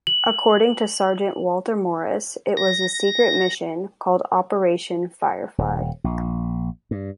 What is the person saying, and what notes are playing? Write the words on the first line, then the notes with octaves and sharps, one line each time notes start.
According to Sergeant Walter Morris, It was a secret mission called Operation Firefly.
F#7
A#6
D#1
A#1
G2